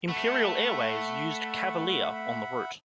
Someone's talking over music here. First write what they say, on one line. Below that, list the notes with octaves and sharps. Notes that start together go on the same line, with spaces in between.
Imperial Airways used "Cavalier" on the route.
A3 E5 F#5 B5